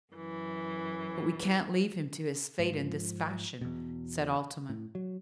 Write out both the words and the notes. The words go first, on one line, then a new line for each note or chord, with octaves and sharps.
"But we can't leave him to his fate, in this fashion," said Altamont.
F#2 E3
G#2 F3
E2 B2
A2
F#3